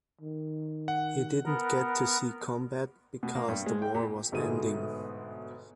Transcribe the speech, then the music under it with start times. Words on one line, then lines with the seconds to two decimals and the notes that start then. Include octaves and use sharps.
He didn't get to see combat because the war was ending.
0.21 D#3
0.88 F#5
1.45 B3 A#4
3.23 B2
3.35 A#3
3.48 G2
3.66 G#3
3.82 G5
3.94 A#2
4.32 G1 G#2 B2 G#3 A3 D#7